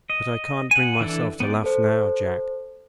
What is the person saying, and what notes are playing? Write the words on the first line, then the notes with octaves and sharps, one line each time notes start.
But I can't bring myself to laugh now, Jack.
D#5
F#5 G#5
E3 D4 E4 A4
B3 D4 G4 D5
A4 C5